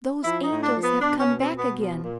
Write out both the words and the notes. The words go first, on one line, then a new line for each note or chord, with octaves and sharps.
Those angels have come back again.
F3 E4
D#4
A2
D4
F3
B3
B2 D4
C#4
B2
C4
B2
B3
F3
A#2